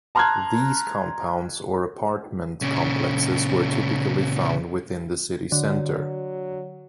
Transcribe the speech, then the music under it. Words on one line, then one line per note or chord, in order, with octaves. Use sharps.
These compounds or apartment complexes were typically found within the city center.
A5 A#5 C6 F6 F#6 G#6
A#2 C#3
D3 F#3